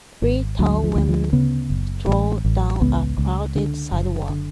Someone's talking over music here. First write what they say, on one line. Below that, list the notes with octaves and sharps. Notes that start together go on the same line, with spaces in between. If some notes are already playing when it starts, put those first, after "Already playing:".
Three tall women stroll down a crowded sidewalk.
G#1
D2 F#3
F3
D2
F3
C#3 B3
F#1
A1
A1
C#2 B3
C#2
D3
F#1
D3